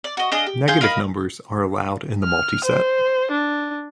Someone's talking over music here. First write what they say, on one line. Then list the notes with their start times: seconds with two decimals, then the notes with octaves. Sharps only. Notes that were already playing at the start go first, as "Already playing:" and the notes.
Negative numbers are allowed in the multiset.
0.04 D5
0.17 F#4 D#5
0.32 D4 G#4 D#5 F5
0.46 G4
0.68 G#4 F5 C6 G6
0.81 A#4 D#5 F5 B5
2.24 F6
2.64 C5
3.31 D4